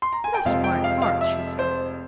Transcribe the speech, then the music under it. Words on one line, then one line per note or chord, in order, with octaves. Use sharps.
"Bless my heart!" she said.
C6
A#5
G#5
G5
F1 F2 C3 F3 G#3 F5
G5
F5
F5
E5
C5